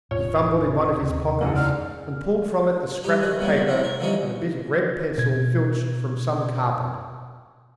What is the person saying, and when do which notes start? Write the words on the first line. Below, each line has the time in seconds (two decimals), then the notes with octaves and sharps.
He fumbled in one of his pockets, and pulled from it a scrap of paper and a bit of red pencil filched from some carpenter.
0.11 E1 A2 F4 C#5
1.02 D#2 C3
1.41 A1 F2 G#2 C#3 E4 F#5
1.56 D5 F6
3.03 G3 D#4 G4
3.20 D#3 G#4
3.39 B2 D#3 F#3 G3 A#3
3.67 F3 F#3 A3 E4
3.83 A#4
4.00 D3 E3 F3 G3 C#4 D#4
5.18 B2 G#6